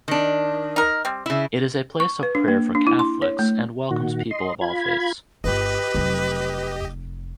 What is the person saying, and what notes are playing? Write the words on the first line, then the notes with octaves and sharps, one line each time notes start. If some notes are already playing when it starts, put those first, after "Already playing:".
It is a place of prayer for Catholics and welcomes people of all faiths.
D#3 D4
D#4 A#4
G3 C4
C#3 E4 E5
C#6
B4
D4
A#3
D4
E4
C6
C#5
A3
A#2 D#3 F#4
D#5 C6
F4 B5 G#6
G1 F4 G4 B4 D#5
F1 F#3